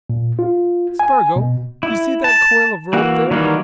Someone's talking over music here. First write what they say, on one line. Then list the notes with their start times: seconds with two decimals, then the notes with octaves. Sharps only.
Spargo, you see that coil of rope there.
0.10 A#2
0.39 F4
0.99 G#5
1.36 B2
1.83 E4
2.24 A5
2.93 E3 A#3 F#4
3.31 D#3 E3 F#3 G3 A#3